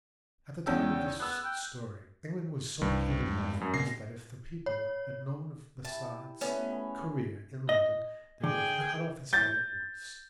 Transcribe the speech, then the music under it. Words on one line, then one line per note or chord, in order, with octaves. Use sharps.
At the time of this story England was so hated by France that if the people had known of Barsad's career in London they would have cut off his head at once.
E2 C#4 G5 E6
B3 E6 F#6
G5
C2 G2
F2 G#2
F#2
A#2 C#3 C4 A#6 C7
C#5
E4 G4 A5
A3 B3 C#4 B4
G#4 B4
D#5
D3 G#4 G5
G6 A6